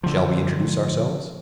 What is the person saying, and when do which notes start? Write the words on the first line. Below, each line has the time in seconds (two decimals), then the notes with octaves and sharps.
Shall we introduce ourselves?
0.03 D3 F3